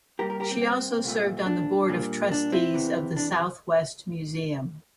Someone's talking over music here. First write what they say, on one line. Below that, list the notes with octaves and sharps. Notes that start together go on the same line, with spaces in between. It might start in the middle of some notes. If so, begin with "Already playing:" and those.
She also served on the board of trustees of the Southwest Museum.
C2 A#2 G3 A#3 G4 A#4
G4 A#4
G4 A#4
C4
C4
C2 A#2 A3
D4
A#2 G3 A#3
D4
C4 E4
E2 C3 E3
D4